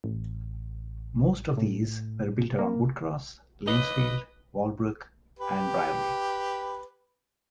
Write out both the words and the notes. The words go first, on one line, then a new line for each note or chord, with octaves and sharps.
Most of these were built around Woodcross, Lanesfield, Wallbrook, and Brierley.
A1
A2
A#3
B4 D#5
G4 B4